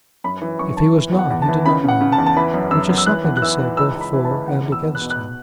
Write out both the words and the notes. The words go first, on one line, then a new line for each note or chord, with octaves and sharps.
If he was not, he did not know it, which is something to say both for and against him.
F#2 B5
E3
F#2 C#6
E3 A5
E3
E2
F#5
E2
A5
E3
C#3 B5
C#3 F#5
C#3
A5
E2
A5
E3 B5
F#2
F#2 E6
F#2
E6
E3 F#6
E2
F#6
E3 E6
E3
C#2 E6
C#2
B5
E3
A5
C#2
E2 F#5
E2
E6
E2
F#6
B2
F#6